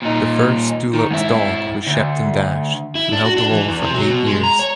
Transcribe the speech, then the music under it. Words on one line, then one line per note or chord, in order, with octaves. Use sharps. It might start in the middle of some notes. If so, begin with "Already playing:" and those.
The first Dulux dog was Shepton Dash, who held the role for eight years.
A#2 D#4
D#3
G#2 E4
D2
E4
D4
F#4
D4
E3
E2
C3
F#3
B2
G#3
A#5
C#5